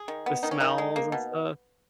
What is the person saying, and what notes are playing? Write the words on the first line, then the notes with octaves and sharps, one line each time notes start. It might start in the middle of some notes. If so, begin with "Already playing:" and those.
the smells and stuff?
Already playing: G#4
D#3
B3
D#3 D#4
C#4
D#3 D#4
G#3
A#3
B2